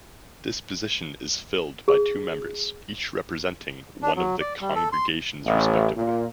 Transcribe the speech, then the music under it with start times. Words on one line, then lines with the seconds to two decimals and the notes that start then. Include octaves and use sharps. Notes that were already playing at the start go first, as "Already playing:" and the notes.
This position is filled by two members, each representing one of the congregations respectively.
1.88 G#4
4.02 D4
4.16 F#3
4.41 D5
4.61 G3
4.75 A4
4.92 C6
5.45 A1
5.96 A#2